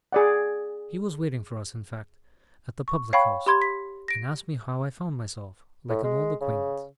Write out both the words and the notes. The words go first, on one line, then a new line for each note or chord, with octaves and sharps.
He was waiting for us, in fact, at the public-house; and asked me how I found myself, like an old acquaintance.
G#4 D5 F#5
C#6
C#5 F5 G5 B5 C#6
G4 B5 C6 G#6
B6
A#6 D7
A2
G#3
C#3